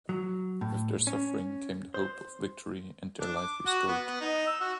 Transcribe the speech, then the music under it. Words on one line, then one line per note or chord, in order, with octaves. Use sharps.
With their suffering came the hope of victory and their life restored.
F#3
A2
C#4
C5
D4
D6
F#4
B3
B3
D#4
E6
F#4